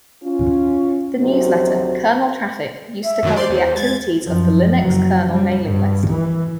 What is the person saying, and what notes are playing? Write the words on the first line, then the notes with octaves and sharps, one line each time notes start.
The newsletter "Kernel Traffic" used to cover the activities of the Linux-kernel mailing list.
C#4 F4
D2 C3 F#3 D#4 F#4 C5
E5
F#2 D#3 F#3
C5 D5 C6
E2
G#3 G#6 A6
F#2 F3
F#1 F#3
G3
G2
E3